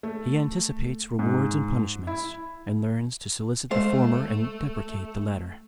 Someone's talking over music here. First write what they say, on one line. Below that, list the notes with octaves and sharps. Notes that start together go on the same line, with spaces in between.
He anticipates rewards and punishments, and learns to solicit the former and deprecate the latter.
A3
G#2
E4
G#3 A3 C5 F5